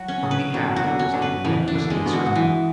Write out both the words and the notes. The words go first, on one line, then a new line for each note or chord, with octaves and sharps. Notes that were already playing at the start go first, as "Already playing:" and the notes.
"We have," was the unanimous answer.
Already playing: F#3 F#4
C#4
A2 C#3
B4
B2 D3 F#3
C#3 F#4
B2 D3
C#4
B2 D3
B4
A2 C#3 E3
D4
B2 D3
G#3
B2 D3
F#4
G#2
F#2 E3